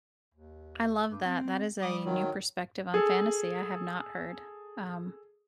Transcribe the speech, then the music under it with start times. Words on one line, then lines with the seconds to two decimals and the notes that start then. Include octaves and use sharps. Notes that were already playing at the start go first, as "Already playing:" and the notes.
I love that, that is a new perspective on fantasy I have not heard, um.
0.34 D#2
1.10 G2
1.25 C4
1.82 G3 D6 D#6
2.05 D#3 F#3
2.94 G#4 A4